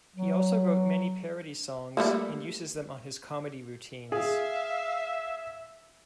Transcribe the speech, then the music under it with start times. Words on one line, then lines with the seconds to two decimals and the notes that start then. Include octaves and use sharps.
He also wrote many parody songs and uses them on his comedy routines.
0.16 F#3
1.97 G3 A3 A#3
4.12 G#4 E5 F5